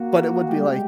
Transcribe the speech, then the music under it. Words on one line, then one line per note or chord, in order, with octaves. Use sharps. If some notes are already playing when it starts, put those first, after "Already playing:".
but it would be like
Already playing: A#3 F#4
A3 G4
G3
G#3